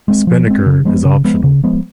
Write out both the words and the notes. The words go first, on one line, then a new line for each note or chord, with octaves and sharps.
A spinnaker is optional.
G#3 C4
F3
G#3 C4
C#3
F3 G#3 B3
C#3
F3 G#3 B3
C#3
F3 G#3 B3